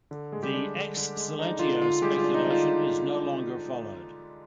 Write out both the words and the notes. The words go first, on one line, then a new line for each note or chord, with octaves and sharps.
This "ex silentio" speculation is no longer followed.
D3
G#3
G3 G4
D4
D3
D3
G#3
D4 D#4
D3 F4
D3 F4
G3 G#3 G4
F4
D4
D#4
D3
F4